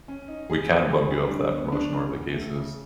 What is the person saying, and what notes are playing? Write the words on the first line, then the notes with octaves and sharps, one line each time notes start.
we can bump you up for that promotion," or whatever the case is.
C#4
D#4
G#4
F3
G#4
G3
D4
B3
D4
C#3
E2
A3
C#3